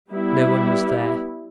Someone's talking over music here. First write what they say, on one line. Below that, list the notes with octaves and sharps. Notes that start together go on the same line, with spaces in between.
No one was there.
G3 B3 E4